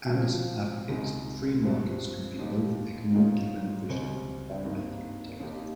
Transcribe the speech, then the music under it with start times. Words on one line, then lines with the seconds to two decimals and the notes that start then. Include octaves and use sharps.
Anderson advocates that free markets can be both economically beneficial and environmentally protective.
0.13 A#2 F3 C4 F4
0.88 C#2 C3 D#3 G#3
1.63 G2 F3 C4 G4
2.38 D#2 D#3 A#3 D#4 G4
3.14 G#2 D#3 G#3 C#4 F4
3.89 C#2 C3 G3 C4
4.64 G#1 G2 D#3 A#3 D#4
5.39 D#2 D#3 A#3 D#4 G4